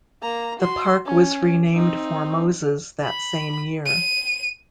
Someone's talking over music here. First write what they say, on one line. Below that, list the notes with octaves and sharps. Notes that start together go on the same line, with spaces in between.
The park was renamed for Moses that same year.
A#3 A#5
F#4 C6
C#4
C4 D#4
B5
D#7